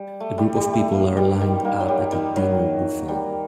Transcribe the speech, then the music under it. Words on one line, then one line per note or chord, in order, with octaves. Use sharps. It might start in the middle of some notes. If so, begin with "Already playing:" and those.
A group of people are lined up at a dinner buffet.
Already playing: G3
A3
G3
G3
A3
A#3
G3
D#3
A#3
F#3
G3
D#3
F#3
G3